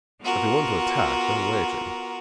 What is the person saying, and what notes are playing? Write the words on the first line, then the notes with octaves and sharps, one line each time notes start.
"If we want to attack they're waiting."
B3 F4 F#4 A#4